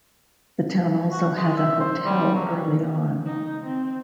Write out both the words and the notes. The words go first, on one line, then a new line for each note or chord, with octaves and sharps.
The town also had a hotel early on.
F#4
G#3
E5
C5
G3
F#3
D#4
C4